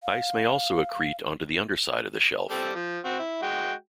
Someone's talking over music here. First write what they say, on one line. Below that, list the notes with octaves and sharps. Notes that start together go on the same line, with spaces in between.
Ice may also accrete onto the underside of the shelf.
F5
G3 C4 A4
F3
C4 F#4
E4
G#3 F#4 G5